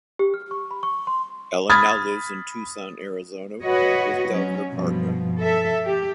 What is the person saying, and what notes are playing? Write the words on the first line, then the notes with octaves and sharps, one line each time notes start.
Ellen now lives in Tucson, Arizona with Doug, her partner.
G4
F6
C#6
B5
C#6
C6
B5 D#6 F6 G#6 A6
F#4 B4 C#5 D#5
F#3 C#4
G2 B2 F3
A4 E5
G4